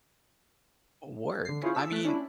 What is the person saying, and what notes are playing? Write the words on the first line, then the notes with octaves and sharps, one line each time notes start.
work. I mean,
D3 C7
C#4 E4 F4 G#4 C5 C#5
G#4 A5 E6 B6
A3 F#6 B6
C#4 D4 E4